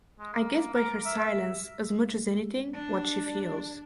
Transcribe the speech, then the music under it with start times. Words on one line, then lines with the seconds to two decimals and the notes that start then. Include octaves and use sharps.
I guess by her silence, as much as anything, what she feels.
0.19 G#3
0.33 A#3
0.74 A#4
1.05 E5
2.73 D4